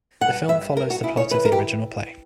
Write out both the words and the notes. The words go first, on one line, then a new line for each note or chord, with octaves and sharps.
The film follows the plot of the original play.
G2 F#5
G2 E5
G2 A#4
F#4
C#3 E4
C#5
E3 B4
A#4
G4